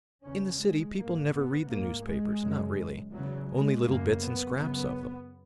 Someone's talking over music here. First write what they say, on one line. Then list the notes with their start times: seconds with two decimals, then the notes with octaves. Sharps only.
In the city, people never read the newspapers, not really, only little bits and scraps of them.
0.23 E2 C#3 C#4
0.59 G#3
0.95 G#2 A#3
1.31 B3
1.68 G#2 A#3
2.04 G#3
2.41 F#2 C#3
3.13 E2 C#3 F#3
3.50 G#3
3.86 F#2 C#3 A#3
4.23 B3
4.58 F#2 C#3 B3